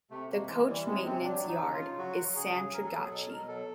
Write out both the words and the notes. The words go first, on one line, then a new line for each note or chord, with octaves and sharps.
The coach maintenance yard is in Santragachi.
C3 A3
C3 A#3
E3 G#3
E3 G3
C3 G#3
C3 C4
F#3 D4
F#3
D#4
C#3
F4
C#3
F#3 F#4
F#3
C#3 G#4
C#3
F#3 A#4
A4
F#3 G#4
B2 A4
B2 A#4
F#3 A4